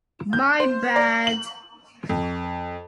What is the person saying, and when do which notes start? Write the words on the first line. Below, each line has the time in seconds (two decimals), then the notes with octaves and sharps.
My bad!
0.33 G6
0.60 C5
0.96 D5
1.27 F#7
2.09 F2